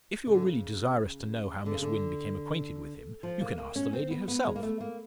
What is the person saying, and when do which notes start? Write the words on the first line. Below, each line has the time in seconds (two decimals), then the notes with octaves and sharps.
"If you are really desirous to know how Miss Wynn became acquainted with him, you can ask the lady herself."
0.27 C#3
0.34 D3
0.42 C#3
1.66 D3
1.74 C#3
1.82 D3
3.23 F3
3.41 A#3
3.58 A#3
3.76 C#4
3.93 C4
4.11 B3
4.28 B3
4.45 G#3
4.56 A#3
4.63 A3
4.81 A#3